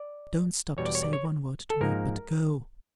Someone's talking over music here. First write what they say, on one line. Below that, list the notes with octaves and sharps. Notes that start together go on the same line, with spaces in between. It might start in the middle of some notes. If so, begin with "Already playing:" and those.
Don't stop to say one word to me, but go.
Already playing: D5
E2 B2 G3 C#5
D5
C#5
D5
C#5
A4
G#2 F3 A#3 D#4 A#4